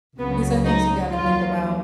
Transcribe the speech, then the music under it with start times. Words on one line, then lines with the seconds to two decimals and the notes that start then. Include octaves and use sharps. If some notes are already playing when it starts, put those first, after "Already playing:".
these are things you gotta think about.
0.19 C#2 C#3 F#3 B3
0.65 D#4
1.09 D#2 D#3 F#3 F4